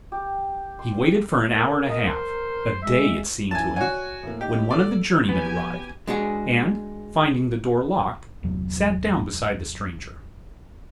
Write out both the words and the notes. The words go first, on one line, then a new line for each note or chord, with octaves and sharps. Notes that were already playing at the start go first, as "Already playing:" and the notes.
He waited for an hour and a half,--a day, it seemed to him,--when one of the journey-men arrived, and, finding the door locked, sat down beside the stranger.
G4
C6
A#4
D#5
C5
G#3 E5
F#2 E3 G#5 A5
F#4 C#5 D5 F#5 G#5
A2 A#3
D#4 G4
A#2 A4 D5
F3 B3 G4 B4 G#5
G#3 D4 F#4 G#4
G1 E2 C3 F#3